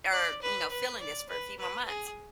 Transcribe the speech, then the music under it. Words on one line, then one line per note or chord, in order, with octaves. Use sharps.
or you know feeling this for a few more months,"
D5
B4
B4
D5
B4
B4
G#4